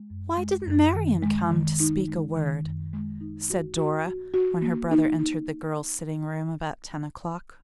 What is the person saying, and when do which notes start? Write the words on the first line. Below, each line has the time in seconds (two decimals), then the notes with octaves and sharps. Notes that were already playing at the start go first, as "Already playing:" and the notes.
'Why didn't Marian come to speak a word?' said Dora, when her brother entered the girls' sitting-room about ten o'clock.
Already playing: G#3
0.10 F#2
0.38 G#3
0.66 F#2
0.95 D#3
1.22 G#3
1.51 D#3
1.80 D#4
2.08 G#3
2.36 D#3
2.64 F#2
2.93 G#3
3.21 D#4
3.50 F#4
3.77 F#4
4.07 F#4
4.34 F#4
4.62 A#3
4.91 D#4
5.19 D#4